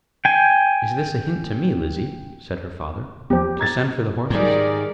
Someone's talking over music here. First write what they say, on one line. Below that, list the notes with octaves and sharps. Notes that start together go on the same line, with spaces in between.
"Is this a hint to me, Lizzy," said her father, "to send for the horses?"
G5 G#5
E2 F3 G4
A#5 G#6 A6
G#2 D#3 G3 G#4 A#4 D5